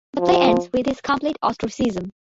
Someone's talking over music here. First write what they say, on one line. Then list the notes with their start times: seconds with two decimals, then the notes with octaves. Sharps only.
The play ends with his complete ostracism.
0.18 F3